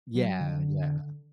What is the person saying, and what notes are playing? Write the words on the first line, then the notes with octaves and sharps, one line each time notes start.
Yeah, yeah.
F#3
D3